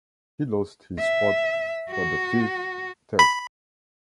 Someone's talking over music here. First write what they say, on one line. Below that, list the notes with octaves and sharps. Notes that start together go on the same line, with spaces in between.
He lost his spot for the fifth test.
E5
F#4
B5